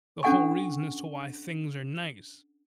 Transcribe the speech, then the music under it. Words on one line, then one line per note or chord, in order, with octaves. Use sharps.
the whole reason as to why things are nice.
C#4 D4 A4 F#5 G#5 C#6